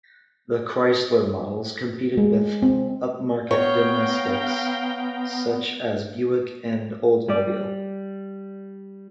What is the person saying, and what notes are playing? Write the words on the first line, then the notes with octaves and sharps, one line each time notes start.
The Chrysler models competed with upmarket domestics such as Buick and Oldsmobile.
G#3
C4
B3 C#5 F5 G5 A#5
G3 D5